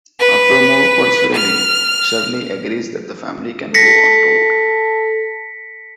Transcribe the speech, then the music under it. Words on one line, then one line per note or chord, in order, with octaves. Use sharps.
After more persuading, Shirley agrees that the family can go on tour.
B4
F6
A4 A#6 B6 C#7